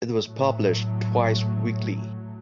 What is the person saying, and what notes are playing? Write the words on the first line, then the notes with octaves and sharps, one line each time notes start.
It was published twice weekly.
A2 F#3 A3